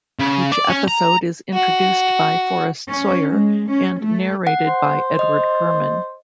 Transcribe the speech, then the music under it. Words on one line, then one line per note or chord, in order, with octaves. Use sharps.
Each episode is introduced by Forrest Sawyer and narrated by Edward Herrmann.
C#3
D5
C#4
A#5
F#4
C#4
G#3
C#4
A3
F#5
C5
D#5